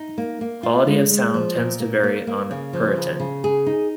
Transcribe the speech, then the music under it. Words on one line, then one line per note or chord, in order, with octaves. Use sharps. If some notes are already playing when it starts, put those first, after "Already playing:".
Quality of sound tends to vary on Puritan.
Already playing: D#4
A#3
A#3
F4
G#3
G#3
F3
A#2
A#3
A#3
A#3
C#3
F3
C#3
C#3
G#4
D#4